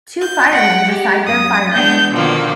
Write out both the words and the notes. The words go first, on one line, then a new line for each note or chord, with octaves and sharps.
Two firemen beside their fire engine.
G6
F#5 G5
G4
F#2 D#6
G#3 B3 D4 G6
B2 D3 D#3 F3 A#3